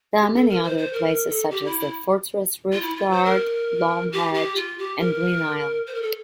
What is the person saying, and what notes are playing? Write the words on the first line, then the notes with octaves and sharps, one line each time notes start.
There are many other places, such as the fortress Riftgard, Loamhedge, and Green Isle.
G4
A4
A#4
C5
C5
A#4
A#4
A4
G4
E4
E4
F4
E4
F4
C5
A#4
G4
G4
F4
G4
A#4
C5
A#4
A4